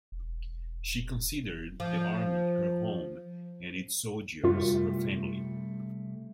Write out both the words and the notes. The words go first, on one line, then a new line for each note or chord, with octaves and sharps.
She considered the army her home and its soldiers her family.
E1
F3
F#2 C3 G3 A3 F4